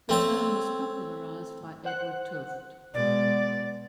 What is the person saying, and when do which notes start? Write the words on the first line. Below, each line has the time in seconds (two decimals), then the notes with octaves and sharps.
The term was popularized by Edward Tufte.
0.09 A3 C4 C#5
1.85 C5 F#5 F#6
2.94 B2 G#3 D5